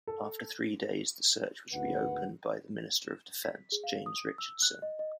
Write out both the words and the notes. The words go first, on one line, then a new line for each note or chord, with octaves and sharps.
After three days the search was reopened by the Minister of Defence, James Richardson.
A4
G#1 D2 B4 F#5
E7
B6
G#4
F5
D#6
E6
F#6
D#5
D#5